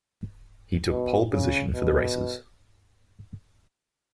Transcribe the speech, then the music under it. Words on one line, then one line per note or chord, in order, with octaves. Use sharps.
He took pole position for the races.
B2
C#3
B2